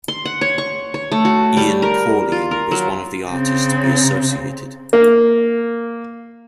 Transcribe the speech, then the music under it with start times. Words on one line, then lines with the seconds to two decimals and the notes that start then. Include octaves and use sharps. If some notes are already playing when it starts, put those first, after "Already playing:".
Ian Paulin was one of the artists to be associated.
0.08 C6
0.25 F#5
0.41 C#5
0.58 C#6
0.94 C#5
1.12 A3
1.25 F#4
1.57 G3
1.82 A#4
2.32 F4
2.51 A#4
2.71 F#3
3.30 C#3 C4
4.93 A#3